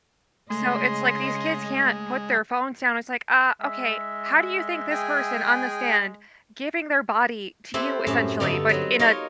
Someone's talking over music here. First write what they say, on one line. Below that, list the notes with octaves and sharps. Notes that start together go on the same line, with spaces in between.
So, it's like, these kids can't put their phones down. It's like, uh, okay how do you think this person on the stand, giving their body to you essentially, but in a
C#3 G#3 A3 D#5 C6
G#3 E5
G#4 G5 G#5
C4 E4 G4 A4 B4 C5
F#2 A2 G4 A5
G2 D3 B3 D#4 A4 D5
F#3 B3 C4
D#4 F4 A#4 C#5 D#5